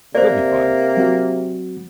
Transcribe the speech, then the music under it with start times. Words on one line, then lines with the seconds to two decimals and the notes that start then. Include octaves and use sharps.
"You'll be fine."
0.15 C3 A#3 C5 D5
0.97 F#3 C4 F#4